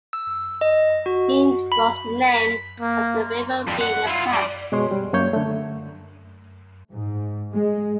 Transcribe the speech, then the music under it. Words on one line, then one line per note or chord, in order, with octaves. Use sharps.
"Neen" was the name of the River Rea in the past.
E6
D#5
F#4
B5
B6
A#3
F2 G3
F#5
E4 F4
G3 D5
B2 G#3 C#5 C6
G3
F#2 A#3 C#5 G6
D3 A3
G#2
G#3